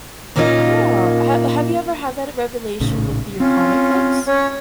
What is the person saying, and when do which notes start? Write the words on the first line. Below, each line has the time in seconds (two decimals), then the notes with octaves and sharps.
Yeah, h have you ever had that revelation with your comic books?
0.36 A#2 A#3 C#4 D#4 F4 D#5
2.80 A#1 A2 C#3
3.40 C4 C#4 F4
4.27 C#4 C#5